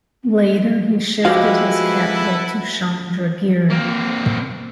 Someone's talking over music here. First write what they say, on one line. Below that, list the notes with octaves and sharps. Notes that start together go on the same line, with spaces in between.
Later he shifted his capital to Chandragiri.
F3 G#3 E4 F#4 G4 A4 B4 F5
A#3 C4